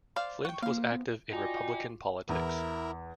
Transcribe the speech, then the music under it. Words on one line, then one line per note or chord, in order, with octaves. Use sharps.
Flint was active in Republican politics.
C5 D5 F5
F#5 G5 C#6
F3 A#3 F5
B3
D#4 F4 F#4 D5 G5 G#5 D6
E2 E4 A#4